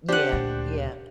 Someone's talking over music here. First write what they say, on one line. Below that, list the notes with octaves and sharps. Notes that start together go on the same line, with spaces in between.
Yeah, yeah.
D4 G4 C5 D5 F#5
D2 A#2